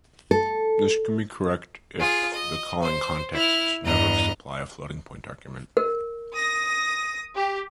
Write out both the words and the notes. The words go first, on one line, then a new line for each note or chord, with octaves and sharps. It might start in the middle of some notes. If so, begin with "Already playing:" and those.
This can be correct if the calling contexts never supply a floating point argument.
A4
F4 G#4
D#5
C5
E4 F6
E2 G2 B3 D#5 A#5
A#4
D#6 A#6
G4